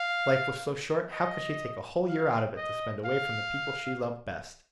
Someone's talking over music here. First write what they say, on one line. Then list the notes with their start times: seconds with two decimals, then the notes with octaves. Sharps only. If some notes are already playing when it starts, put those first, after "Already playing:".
Life was so short, how could she take a whole year out of it to spend away from the people she loved best?
Already playing: F5
1.12 D#5
2.09 F5
2.57 D#5
3.05 F5